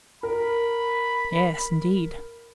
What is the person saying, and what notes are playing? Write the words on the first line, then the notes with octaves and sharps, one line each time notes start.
"Yes, indeed."
A#4 B5